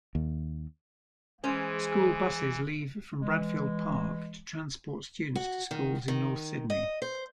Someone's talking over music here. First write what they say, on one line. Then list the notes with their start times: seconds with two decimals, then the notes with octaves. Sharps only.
School Buses leave from Bradfield Park to transport students to schools in North Sydney.
0.15 D#2
1.44 E3 G#3 C#4 G#4 C5
3.20 E3 G#3
5.35 F#4
5.71 D#3
6.08 D#3
6.70 D#5
7.02 C5